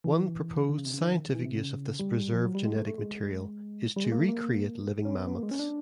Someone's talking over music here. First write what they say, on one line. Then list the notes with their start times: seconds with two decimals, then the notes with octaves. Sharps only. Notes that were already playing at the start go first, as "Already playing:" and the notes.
One proposed scientific use of this preserved genetic material is to recreate living mammoths.
0.04 E3
0.69 D3
0.78 C#3
0.86 C3
0.94 C#3
1.02 D#3
1.35 E3
1.45 C3
1.57 C#3
1.99 G3
2.33 F3
2.44 F#3
2.55 G3
2.65 G#3
2.76 A3
2.87 A3
2.98 G#3
3.96 G3
4.04 G#3
4.12 A#3
4.21 A3
4.29 A#3
5.05 C#4
5.16 B3
5.27 B3
5.35 A#3
5.43 G#3
5.51 C#4
5.59 D4